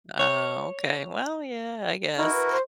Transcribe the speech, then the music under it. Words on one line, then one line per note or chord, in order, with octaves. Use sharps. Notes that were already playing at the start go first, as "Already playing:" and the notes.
Ah, okay. Well, yeah, I guess.
C#5
D#4 E4 F#4 A#4
B4
C5